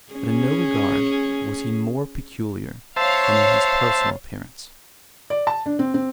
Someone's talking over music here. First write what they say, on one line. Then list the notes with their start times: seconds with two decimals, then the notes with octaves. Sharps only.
But in no regard was he more peculiar than in his personal appearance.
0.12 C#4 G#4
2.96 C5 C#5 E5 F5 A5
5.30 D5
5.47 A5
5.66 D4
5.79 C4
5.94 C4